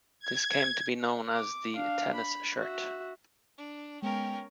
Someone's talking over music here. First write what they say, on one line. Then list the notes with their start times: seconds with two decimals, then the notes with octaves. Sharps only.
This came to be known as the tennis shirt.
0.20 G#6
1.32 D6
1.75 D4 F5
2.15 B5
2.58 F#4 E5
3.58 D4
4.02 G#3 B3 C#4 A#4 G5